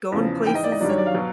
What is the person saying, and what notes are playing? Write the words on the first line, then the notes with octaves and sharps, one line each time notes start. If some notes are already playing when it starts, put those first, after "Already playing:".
going places and,
E2 C#3 F3
G#2 E3 G5
D#5
D5
D#5
G2 D#3 F#3 D5
C#5
D5
F5
B2 F#3